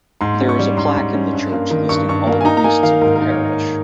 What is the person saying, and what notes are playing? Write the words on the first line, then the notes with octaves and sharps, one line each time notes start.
There is a plaque in the church listing all priests of the parish.
G#2 C6
C#4
C#6
G3
G#2 C6
G#2
C#4
G2
A#3
D#3
G2 C#6
G2 C#6
A#3
G#5
D#4 A#5
A#5
A#3 G#5
D#3 F5
G#2 A#4
D#4 A#4
C#5